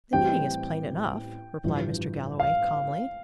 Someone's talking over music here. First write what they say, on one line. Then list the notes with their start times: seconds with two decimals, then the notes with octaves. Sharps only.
"The meaning is plain enough," replied Mr. Galloway, calmly.
0.13 A1 A2 G3 C4 G4 G5
1.64 A1 G2 F3
2.40 F5